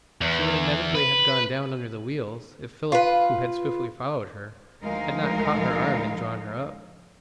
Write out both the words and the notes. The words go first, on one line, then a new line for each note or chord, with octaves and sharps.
She would inevitably have gone down under the wheels, if Philip, who had swiftly followed her, had not caught her arm and drawn her up.
E2
B4
F4 B4
D2 F3 G#3 D#4 A#4 F5